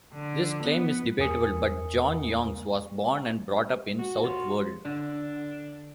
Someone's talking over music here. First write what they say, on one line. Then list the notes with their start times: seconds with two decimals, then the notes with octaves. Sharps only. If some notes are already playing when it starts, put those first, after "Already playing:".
This claim is debatable, but John Youngs was born and brought up in Southwold.
0.14 D3
0.64 B3
1.19 E2 A#4 G#5 D#6 C#7
3.99 F#4
4.23 F4 C#5
4.85 D3 D4